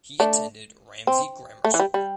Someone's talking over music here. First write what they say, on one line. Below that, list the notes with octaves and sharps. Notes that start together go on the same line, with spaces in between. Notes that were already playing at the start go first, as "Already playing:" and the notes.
He attended Ramsey Grammar School.
A3 D4
C4
A3
E3
G3
G3